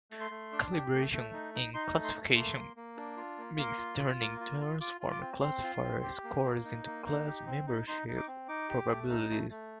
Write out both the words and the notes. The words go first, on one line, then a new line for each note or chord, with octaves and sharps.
Calibration in classification means turning transform classifier scores into class membership probabilities.
A3
C6
A3
D4
G4
A3
A3
D#4
D#4
D#4 C6
A3
C6
A3
A#3 C6
A#3
A#3
D4
F4
A#3
A#3 C6
F4
F4
A#3
F4
F4
F4 D6
F4
D6
C4
C4 C6
F4
C4
G4
A#3
A#3
D#4
A#3
D#4
G4
C4
D#4
D#4 C6
D#4
D6
C4
D#4 D6
G4
A3
D#4
A3
A3